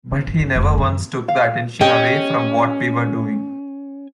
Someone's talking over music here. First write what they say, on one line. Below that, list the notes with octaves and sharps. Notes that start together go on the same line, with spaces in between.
But he never once took the attention away from what we were doing.
D#4
G1
F#2
F1 F#2
F#2 D#3
F5
C#4 G4 D#5 G5